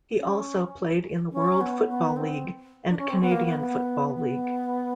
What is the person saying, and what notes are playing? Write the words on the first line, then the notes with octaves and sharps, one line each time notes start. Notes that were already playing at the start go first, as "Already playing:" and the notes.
He also played in the World Football League and Canadian Football League.
C#4
C#4
B3
B3
C4
D4
C#4
C4
B3
A#3
B3
B3
B3